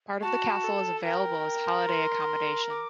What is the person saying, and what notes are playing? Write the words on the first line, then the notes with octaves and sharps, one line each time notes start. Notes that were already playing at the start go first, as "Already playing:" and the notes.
Part of the castle is available as holiday accommodation.
F#4 A5
A4
A#4 G5
C6
D6